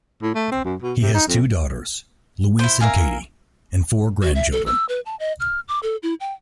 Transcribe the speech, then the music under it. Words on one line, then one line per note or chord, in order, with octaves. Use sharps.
He has two daughters, Louise and Katy, and four grandchildren.
A2
A3
C4
F#2
B2
C3
D#4
F2
E4 C5
A#4 E5 F5 G#5
F#4
E5
A4
E6
B4
A5
D#5
F6
D6
A4
E4
G5